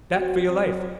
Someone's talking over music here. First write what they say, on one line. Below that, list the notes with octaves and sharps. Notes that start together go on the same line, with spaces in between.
"Back for your life!"
F#2 C4 F#4
F#3 C4